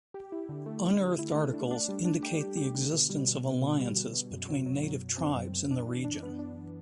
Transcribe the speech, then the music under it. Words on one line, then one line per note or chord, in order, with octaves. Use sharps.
Unearthed articles indicate the existence of alliances between native tribes in the region.
G4
E4
D3
A3
D3
D3
E4
A3
D4
D4
G3
D4
G4
G4
G4
D3
B2
G3
B2
B2
B2
G3
B2
B2
F#2
F#3
F#3
F#3
F#3
C4
F#2
F#2
D4
E3
D4
B3
D4